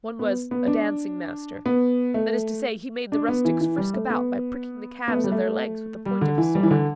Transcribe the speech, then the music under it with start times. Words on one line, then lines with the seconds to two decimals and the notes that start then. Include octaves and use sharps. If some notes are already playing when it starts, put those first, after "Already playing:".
One was "a dancing master;" that is to say he made the rustics frisk about by pricking the calves of their legs with the point of his sword.
0.19 B3
0.51 B3
0.67 D4
1.66 B3
2.14 A3
3.12 D4
3.28 B3
3.45 E3
3.61 E3
3.78 G3
3.94 A3
4.10 B3
5.08 B3
5.16 A3
5.24 G3
5.32 A3
6.06 G3
6.21 D3
6.38 E3
6.55 G3
6.63 E3
6.71 D3